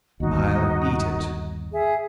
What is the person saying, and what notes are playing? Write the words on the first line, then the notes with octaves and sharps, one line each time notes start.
"I'll eat it."
G1 D#2 D#4 F#4 D#5
G#4 E5